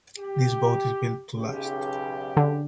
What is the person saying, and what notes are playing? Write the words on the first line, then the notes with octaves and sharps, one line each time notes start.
This boat is built to last.
G4
B1 C#3 G4
D3